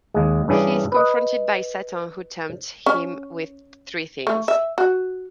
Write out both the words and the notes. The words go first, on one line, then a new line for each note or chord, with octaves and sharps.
He is confronted by Satan, who tempts him with three things.
D#2 G#3
G2 E3 C#4 G#4 D5
B4 D#5
C#4
A3
E5
F#4